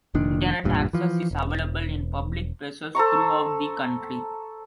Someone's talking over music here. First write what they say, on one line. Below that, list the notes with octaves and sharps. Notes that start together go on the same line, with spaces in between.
Internet access is available in public places throughout the country.
F1 A#2 D#3 D4
E1 A1 G2 A#2
E3 F3
E1
A4 C5 A#5 C#6